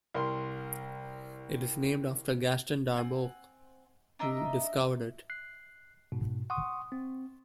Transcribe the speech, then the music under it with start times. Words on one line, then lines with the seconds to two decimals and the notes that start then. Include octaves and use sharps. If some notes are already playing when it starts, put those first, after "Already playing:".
It is named after Gaston Darboux who discovered it.
0.14 C2 A#4 C6
2.97 C4 F#5 G#5
4.19 D4 A#4 D#5 E5
5.30 F#6 C7
6.12 G#2 B2
6.50 F#5 C6 C#6 D#6
6.92 C4